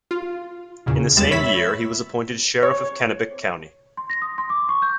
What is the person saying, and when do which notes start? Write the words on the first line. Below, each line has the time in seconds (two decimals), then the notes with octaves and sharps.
In the same year he was appointed Sheriff of Kennebec County.
0.11 F4
0.86 E2 A#2 C#3
1.17 E2 G3 G#3 A6 E7
1.31 C#5 E5 B5 E6 B6
2.63 C#5
3.97 C6
4.10 A#6
4.22 D#6
4.38 C6
4.50 D6
4.69 C#6
4.82 G6